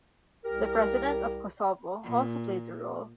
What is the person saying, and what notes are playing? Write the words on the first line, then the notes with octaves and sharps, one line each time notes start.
The President of Kosovo also plays a role.
C2 G4 A#4
A#2